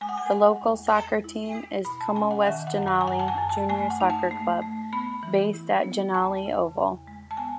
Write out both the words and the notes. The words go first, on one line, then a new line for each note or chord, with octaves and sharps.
The local soccer team is Como-West-Jannali Junior Soccer Club, based at Jannali Oval.
G#3 G#5
F#5
G#5
G#3 F#5
E2
G#3
E4
E4
B2 B5
A5
C#4 G#5
F#5
D#3 E5
F#5
F#2
F#5
G#5
F#2 F#5
A5
G#5
F#2
A5
A3 G#5
F#5
D#4
A5
A3
A3
B3 B5
E3
E4
B3
E2 A5
C#3
E2
G#3
A5
B3 G#5